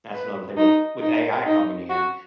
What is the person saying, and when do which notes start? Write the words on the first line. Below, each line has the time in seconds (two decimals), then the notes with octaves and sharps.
That's another thing with with AI coming in,
0.14 B4
0.58 D#4
1.01 D#4
1.46 D#4
1.90 F#4